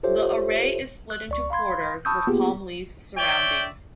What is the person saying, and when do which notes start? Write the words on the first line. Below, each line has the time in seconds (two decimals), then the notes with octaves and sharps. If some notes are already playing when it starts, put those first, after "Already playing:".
The array is split into quarters with palm leaves surrounding.
0.03 F4 G4 A4 C5 C#5 E5
1.10 F#6
1.29 C#2 D5 C#6
1.51 F5 B5 C6 G#6
2.05 A5 B5 C#6 D#6 E6 G6
2.27 A#3 B3 F4 G4 G#4
3.17 C#5 D5 E5 G5